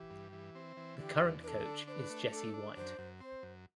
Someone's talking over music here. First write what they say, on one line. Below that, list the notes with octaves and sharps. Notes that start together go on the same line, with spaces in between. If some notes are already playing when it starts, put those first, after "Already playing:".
The current coach is Jesse White.
Already playing: E3 G4
G2
E3
C4
E3
D3 G4
E2
D4 A4 B4
D3
D4 C5
B4
A3
D4 A4
D4
F#2 C5
F#2
C4 C5
F#2